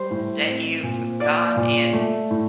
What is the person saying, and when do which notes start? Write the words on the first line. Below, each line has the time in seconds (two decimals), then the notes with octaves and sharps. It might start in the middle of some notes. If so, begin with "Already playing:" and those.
that you've gone and,
Already playing: G3 C5
0.11 A2
0.47 C4
0.83 A#2
1.20 A#3 D5
1.56 A#2
1.93 A3
2.31 A2